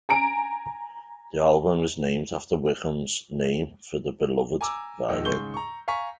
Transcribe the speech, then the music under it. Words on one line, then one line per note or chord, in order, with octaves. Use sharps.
The album is named after Wickham's name for his "beloved" violin.
G#5 A#5 D7
G#5 A#5 D6 E6
E1 D#2 D#3 D#5 E6
G#2 C#3 C6 C#6 G6 G7
A#5 C#6
F5 G#5 A#5 C#6 B6